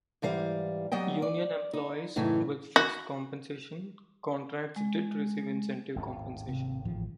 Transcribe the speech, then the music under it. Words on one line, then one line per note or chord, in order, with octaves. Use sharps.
Union employees with fixed compensation contracts did receive incentive compensation.
G#2 E3 G3 F5
F#3 G3 B3 D#5 G5
D5
D#4
F#2 A2 C#3 E3 D#4
F#4
G#3
G#1 D#2 A2
C3
A1 D#3 F3